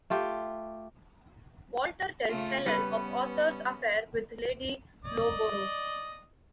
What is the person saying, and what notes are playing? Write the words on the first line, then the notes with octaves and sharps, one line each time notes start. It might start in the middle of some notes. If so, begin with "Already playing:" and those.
Walter tells Helen of Arthur's affair with Lady Lowborough.
A3 F4 G4
C#3 A3 F4
G3 B3 C#4 B4
D5 D#5